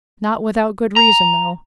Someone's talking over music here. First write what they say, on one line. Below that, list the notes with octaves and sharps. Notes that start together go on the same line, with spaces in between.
Not without good reason, though.
A#5